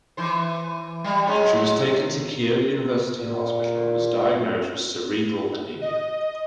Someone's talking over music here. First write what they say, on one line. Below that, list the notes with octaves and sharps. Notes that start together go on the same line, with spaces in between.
She was taken to Keio University Hospital and was diagnosed with cerebral anemia.
E3 C5
G3
F#3 G#3 C#4
A#2
F#2
D#5